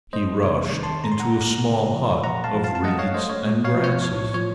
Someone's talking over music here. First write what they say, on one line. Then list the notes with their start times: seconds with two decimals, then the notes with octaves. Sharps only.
He rushed into a small hut of reeds and grasses.
0.13 A3 C5 D#5
0.43 C3 C#5
0.73 D#3
0.83 A5 C6
1.04 A3 A#5
1.12 C6
1.20 F#5 A#5
1.33 A3
1.64 C#3
1.94 F3
2.24 A#2 F#5 A#5
2.44 F5 A5
2.54 F3
2.64 F5 A5
2.75 A5
2.84 A3 D#5 F#5
2.99 C#5 F5
3.14 A3 C5 D#5
3.30 C#5
3.44 A#2
3.65 C#5 F5
3.75 F3
3.84 C#5
4.04 A2 C#5
4.34 F3 C#5